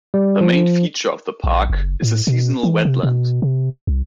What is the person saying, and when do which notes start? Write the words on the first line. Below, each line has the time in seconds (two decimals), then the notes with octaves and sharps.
The main feature of the park is a seasonal wetland.
0.14 G3
0.41 F3
1.44 A#1
1.70 F#1
2.02 A2
2.27 B2
2.63 E3
2.85 C3
3.03 B2
3.42 C3
3.87 C2